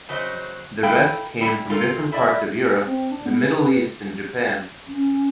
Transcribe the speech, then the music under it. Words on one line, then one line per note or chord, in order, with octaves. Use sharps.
The rest came from different parts of Europe, the Middle East and Japan.
C#3 F#3 C5 D#5
D#4 E4 A4 F5 G5
G3 E4
F4 A4 A#4
E4 D5 E5
C4
D4
B3
B4
C#4